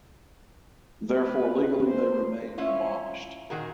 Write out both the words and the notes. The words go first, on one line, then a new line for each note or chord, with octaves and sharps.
Therefore legally they remain abolished.
B4
C5
C#4 E4 F4 C#5
A#2 D#3 F#4 G#4 A#4